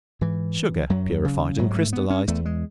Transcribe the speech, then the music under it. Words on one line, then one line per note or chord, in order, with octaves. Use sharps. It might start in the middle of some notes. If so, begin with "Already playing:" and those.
Sugar purified and crystallized.
G#2 E3
F#2 F#3
C#3
G#2 F#3
G#3
A3
B3
C#4
E2 A3
G#3